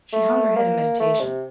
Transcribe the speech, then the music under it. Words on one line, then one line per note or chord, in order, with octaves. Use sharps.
She hung her head in meditation.
A3
A#3
A3
C3